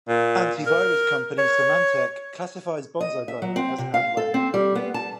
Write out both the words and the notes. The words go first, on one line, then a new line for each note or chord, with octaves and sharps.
Anti-virus company Symantec classifies BonziBuddy as Adware.
A#2
A#4
C#5
D#5
E5
F#3
C4
C3
F5
A4
C4
G3
B3
A5